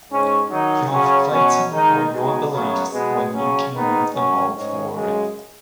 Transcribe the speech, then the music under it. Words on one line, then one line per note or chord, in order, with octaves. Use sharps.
You're fighting for your beliefs when you can move the ball forward.
G#2 G#3 C#4
D#3 F#3 D#4
C#3 F#3 C#4
B2 F#3 C#4
D#3 G#3 D#4
B2 G#3 D#4
F#2 C#3 F#3 B3
B2 G#3 B3
C#3 F#3 C#4
G#2 D#3 B3 D#4
F#2 F#3 C#4
G#2 G#3 C#4
F#2 C#3 G#3